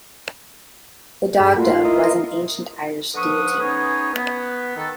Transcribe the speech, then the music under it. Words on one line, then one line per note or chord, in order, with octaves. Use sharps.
The Dagda was an ancient Irish deity.
G2 G#4 B5
A3 A#3 F4 F#4
E4 A#4 D#5
D3 F3 B4 F5 C#6 D#6
B3 C#4 D#4 G#4 C#5
B3
D#3 A4